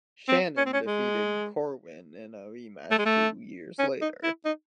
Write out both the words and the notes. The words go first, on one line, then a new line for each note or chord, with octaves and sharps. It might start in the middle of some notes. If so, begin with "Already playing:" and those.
Shannon defeated Corwin in a rematch two years later.
C4
C#4
C4
C#4
G#3
A3
G#3
A3
C#4
D#4
E4
D#4